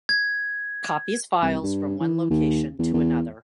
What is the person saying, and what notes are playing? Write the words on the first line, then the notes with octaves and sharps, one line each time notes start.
Copies files from one location to another.
G#6
C2
G2
E3
D#2
E2
E2